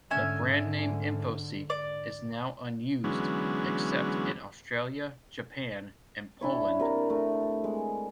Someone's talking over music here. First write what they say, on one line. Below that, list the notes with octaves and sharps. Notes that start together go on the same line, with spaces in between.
The brand name of Infoseek is now unused except in Australia, Japan and Poland.
G#2 D3 C#4 E5 G#5
D5
D3 E3 F#3 G#3 B3 C#4
D4 E4 C#5
C3 A#4
A3
G#3